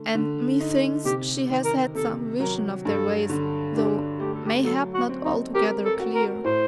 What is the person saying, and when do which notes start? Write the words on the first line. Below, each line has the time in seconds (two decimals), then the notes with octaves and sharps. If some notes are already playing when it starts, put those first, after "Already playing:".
And methinks she has had some vision of their ways, though mayhap not altogether clear.
Already playing: D3 A3
0.15 D3
0.60 D#4
1.05 C3 G4
1.50 D#3
1.65 A#4
1.95 C3 A4
2.40 F#3 A#4
2.85 G2 A4
3.29 D3
3.75 D4 G4
4.19 A3 G4
4.34 A4
4.46 G4
4.64 F#3 A4
4.94 F#4
5.09 C4
5.24 D#4
5.54 G4 A#4
5.85 A4
6.00 F#4
6.15 A#4
6.44 A2 C5